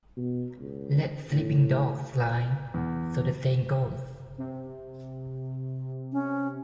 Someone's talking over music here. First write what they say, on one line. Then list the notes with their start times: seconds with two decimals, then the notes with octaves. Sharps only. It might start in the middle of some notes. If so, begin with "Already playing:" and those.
Let sleeping dogs lie, so the saying goes.
0.17 B2
0.59 C#2
1.31 A2
2.74 E2
4.38 C3
6.13 C#4